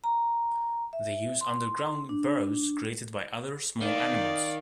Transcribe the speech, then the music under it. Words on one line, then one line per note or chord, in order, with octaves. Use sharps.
They use underground burrows created by other small animals.
A#5
E5
C6
D4
D#3 D5 F5